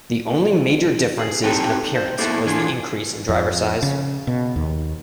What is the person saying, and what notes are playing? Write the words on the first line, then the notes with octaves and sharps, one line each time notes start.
The only major difference in appearance was the increase in driver size.
G#4
C4 D#4 G4 A4 B4 G5
C5
A#3 B3 E4 G#4 A4
E3 D4 F4 G#4
F2
C#3
B2
D#2